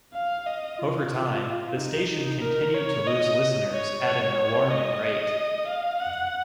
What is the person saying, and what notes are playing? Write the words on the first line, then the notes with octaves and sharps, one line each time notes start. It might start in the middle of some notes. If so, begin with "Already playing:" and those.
Over time the station continued to lose listeners at an alarming rate.
F5
D#5
F4
D#4
D#4
A#4
C#5
D#5
C#5
C#5
D#5
F5
F#5